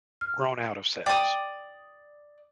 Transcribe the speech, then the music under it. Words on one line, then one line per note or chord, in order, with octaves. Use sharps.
grown out of sales.
F6
D5 G5 D#6